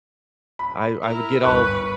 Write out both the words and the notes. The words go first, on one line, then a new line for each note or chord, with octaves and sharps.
I I would get all
B5
E4 A#4
G1 B4 C#6 F#6